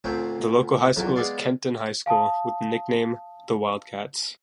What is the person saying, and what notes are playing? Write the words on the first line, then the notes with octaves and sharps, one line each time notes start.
The local high school is Kenton High School, with the nickname the "Wildcats".
D2 A#2 C4 C#4 G5
B1 E2 F3 A#3
G#3 B3 D5 F5
F5 G#5 A5 D#6